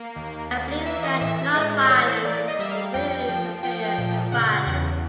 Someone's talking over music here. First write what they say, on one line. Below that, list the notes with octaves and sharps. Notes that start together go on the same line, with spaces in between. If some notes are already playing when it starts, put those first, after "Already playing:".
I believe that non-violence is infinitely superior to violence.
Already playing: A#3
D#2
A#3
E3 E5
D#5
A2 E5
E5
G#3 D#5
D5
E3 C#5
C5
A#3 D5
D#5
G3 E5
F5
F2 G5
F3
F3 G5
A#2
C#3 F#5
E2